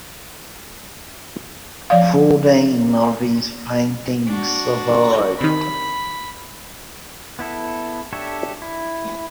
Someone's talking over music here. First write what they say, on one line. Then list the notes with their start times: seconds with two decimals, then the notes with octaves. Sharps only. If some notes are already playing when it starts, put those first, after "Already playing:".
Fourteen of his paintings survived.
1.90 F3 D5 F5
4.28 D4 F#4
5.40 C3 D#3 B5
7.39 B3 E4 A4
8.13 D4 G4 A4 C#5 E5
8.62 E4